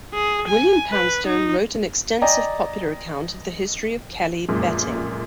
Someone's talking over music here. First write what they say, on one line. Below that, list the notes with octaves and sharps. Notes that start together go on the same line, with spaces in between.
William Poundstone wrote an extensive popular account of the history of Kelly betting.
G#4
G#5
B4
D#4
D5 D#5 G5 G#5 A#5
F1 F#2 A#2 G#3